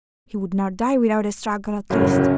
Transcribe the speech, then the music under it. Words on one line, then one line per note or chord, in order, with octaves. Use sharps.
He would not die without a struggle at least.
G1 F#2 A2 C#3